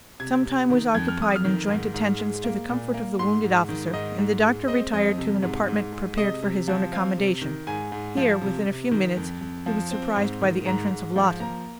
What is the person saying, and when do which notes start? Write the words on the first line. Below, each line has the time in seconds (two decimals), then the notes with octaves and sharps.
Some time was occupied in joint attentions to the comfort of the wounded officer, and the doctor retired to an apartment prepared for his own accommodation; here, within a few minutes, he was surprised by the entrance of Lawton.
0.20 C3 G#6
0.45 C3
0.70 D#3
0.95 F2 G#6
1.08 F6
1.20 F2 D#6
1.36 F6
1.45 D#3
1.69 G#2
1.94 G#2
2.19 G#3
2.44 A#3
2.69 A#2
2.94 A#3
3.19 G#2 C6
3.44 G#2
3.69 D#3
3.94 G#2 D#5
4.19 G#2
4.44 G#3
4.68 C4 D#5
4.93 F2 D#5
5.18 C3
5.42 G#2
5.68 G#2
5.93 G#3
6.18 C3 D#5
6.42 C3
6.68 F3
6.92 C4 F5
7.17 C3
7.42 D#3
7.67 G#2 G#5
7.92 G#2
8.17 F3
8.41 C3
8.66 C3
8.91 D#3
9.17 F2
9.41 F2
9.66 F3
9.91 C4
10.16 G#2
10.41 D#3
10.66 G#2 A#5
10.91 G#2
11.16 F3
11.40 A#3 A#5